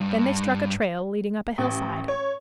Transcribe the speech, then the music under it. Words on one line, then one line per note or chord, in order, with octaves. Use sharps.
Then they struck a trail leading up a hillside.
G2
A1
C#5